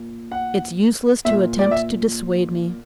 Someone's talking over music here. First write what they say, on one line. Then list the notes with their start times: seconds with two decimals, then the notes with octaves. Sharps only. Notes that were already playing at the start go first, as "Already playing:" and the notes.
'It's useless to attempt to dissuade me.'
Already playing: A#2
0.32 F#5
1.25 A#2 E5
1.59 D5
1.71 E5